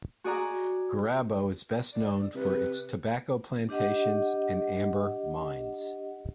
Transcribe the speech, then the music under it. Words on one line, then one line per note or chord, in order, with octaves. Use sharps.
Gurabo is best known for its Tobacco Plantations and Amber Mines.
F#4 G#4 D5 F#5 A#5
D5
C3 B4
D4 G4 D#5 F#5